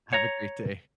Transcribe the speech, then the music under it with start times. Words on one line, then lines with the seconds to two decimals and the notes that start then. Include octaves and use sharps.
Have a great day.
0.13 C#5 A#5